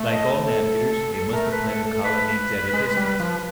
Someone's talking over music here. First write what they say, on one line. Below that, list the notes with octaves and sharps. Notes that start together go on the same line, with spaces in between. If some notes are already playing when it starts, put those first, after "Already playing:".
Like all navigators, they must have planted colonies at a distance.
Already playing: A3
D#5
A4
A3 A#4
B4
A4
A4
B4
G#3
G3
F3